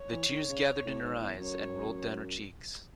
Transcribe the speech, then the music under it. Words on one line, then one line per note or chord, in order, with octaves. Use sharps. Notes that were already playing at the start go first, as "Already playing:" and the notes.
The tears gathered in her eyes and rolled down her cheeks.
Already playing: C#5
E3
D#3
C#3
A2
G#2
E2
F#2 C#5